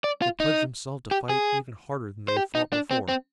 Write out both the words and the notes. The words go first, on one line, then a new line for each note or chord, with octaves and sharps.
They pledged themselves to fight even harder than they had fought before.
D5
F4
D#4
G4
G#4
C5
G4
D#4
D4
C4
C4